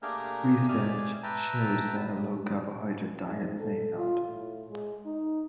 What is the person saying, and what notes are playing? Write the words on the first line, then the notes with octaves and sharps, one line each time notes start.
Research shows that a low-carbohydrate diet may help.
A3 A#3 D4 G4 G#4 A#4
A3 G4 G#4 D5 G#5 F6
B4 E5 G5 A5 A#5
G#2
A4
F4
A2
G#3
D#4